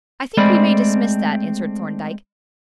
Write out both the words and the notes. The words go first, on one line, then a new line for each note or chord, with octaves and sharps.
"I think we may dismiss that," answered Thorndyke.
G#3 A3 C4 D5 B5